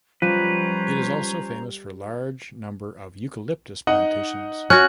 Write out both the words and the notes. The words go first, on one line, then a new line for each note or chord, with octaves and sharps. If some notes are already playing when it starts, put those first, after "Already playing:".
It is also famous for large number of "Eucalyptus" plantations.
F3 G3 C#4 B4 C5 A#5
D#4 D#5 F#5
C#4 F#4 F#6